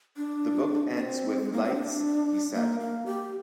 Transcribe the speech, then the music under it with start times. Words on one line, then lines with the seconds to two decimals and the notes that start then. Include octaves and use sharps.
The book ends with 'Lights' he said.
0.17 D4
0.95 C4
1.41 G#3
1.53 A#3
1.64 C4
1.75 D4
2.54 A#3
2.80 A#3
3.06 G4